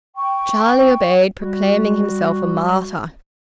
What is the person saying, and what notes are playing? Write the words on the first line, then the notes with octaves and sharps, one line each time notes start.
Charlie obeyed, proclaiming himself a martyr.
G5 C#6
G3 F#4